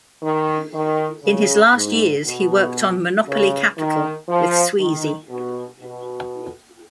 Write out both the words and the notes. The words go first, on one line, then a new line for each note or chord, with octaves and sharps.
In his last years he worked on "Monopoly Capital" with Sweezy.
D#3
D#3
C#3
G#2
B2
C#3
D#3
F3
D#3
B2
B2